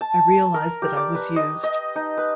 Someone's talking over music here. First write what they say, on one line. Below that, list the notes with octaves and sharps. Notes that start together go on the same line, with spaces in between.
I realised that I was used.
A5
A#4
G4
D5
B4
D#5
D#5
D#4
B4